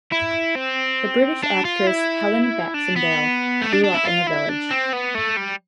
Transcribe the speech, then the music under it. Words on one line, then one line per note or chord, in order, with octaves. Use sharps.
The British actress Helen Baxendale grew up in the village.
E4
C4
D4
F4
E4
D4
B3
A3
D4
D4
E4
F4
E4
D4
C4
B3
A3
G3